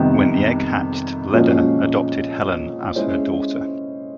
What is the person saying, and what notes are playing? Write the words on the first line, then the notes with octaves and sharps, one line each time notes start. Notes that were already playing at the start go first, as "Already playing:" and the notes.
When the egg hatched, Leda adopted Helen as her daughter.
Already playing: F2 C3 D#3 G3 B3
A#2 F3 G#3 C#4 F#4
G#3 C#4 E4 G#4 C5